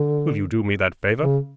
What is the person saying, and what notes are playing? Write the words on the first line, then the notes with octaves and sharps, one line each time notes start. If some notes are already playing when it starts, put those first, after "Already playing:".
Will you do me that favour?'
Already playing: D3
C#3